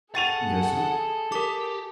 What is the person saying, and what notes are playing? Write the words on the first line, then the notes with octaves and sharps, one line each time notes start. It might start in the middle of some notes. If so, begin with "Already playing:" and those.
"Yes, sir."
G#4 A4 F#5 G5 C#6 A6 D#7 F7
G4 A#4 D6